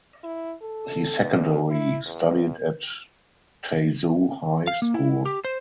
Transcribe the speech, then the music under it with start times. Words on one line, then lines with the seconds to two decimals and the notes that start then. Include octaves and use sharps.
He secondary studied at Taizhou High School.
0.23 E4
0.62 A4
1.21 E2
1.70 E4
2.06 E2
4.67 F5
4.82 A#3
4.94 E4
5.26 G4
5.45 C5